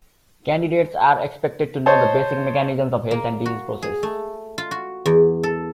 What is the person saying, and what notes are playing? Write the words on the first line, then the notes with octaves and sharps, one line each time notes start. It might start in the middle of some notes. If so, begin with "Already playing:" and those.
Candidates are expected to know the basic mechanisms of health and disease process.
C5 C#5 D#5 A5
A#3
F#4
G#4
A3
F4
F#4
E2
A4